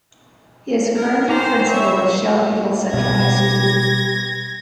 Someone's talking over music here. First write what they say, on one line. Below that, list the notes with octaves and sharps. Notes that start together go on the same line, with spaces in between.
He is currently Principal of Shelbyville Central High School.
A#4
C#4 G4 C5 A#5
C#5 E5
B2 G3 G4 G#6 A#6